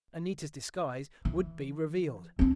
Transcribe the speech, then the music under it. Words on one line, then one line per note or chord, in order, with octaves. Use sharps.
Anita's disguise would be revealed.
E3
C4 D4